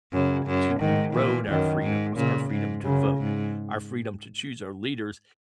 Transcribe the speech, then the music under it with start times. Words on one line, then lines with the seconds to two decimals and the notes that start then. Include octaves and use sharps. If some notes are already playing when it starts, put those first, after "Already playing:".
to erode our freedoms, our freedom to vote, our freedom to choose our leaders
0.13 F#2 C#3
0.47 F#2
0.81 G#2 D#3
1.14 A#2 E3
1.48 F#2 D#3
1.83 G#2
2.16 A#2 C#3
2.51 G#2
2.84 F#2 C#3
3.18 G#2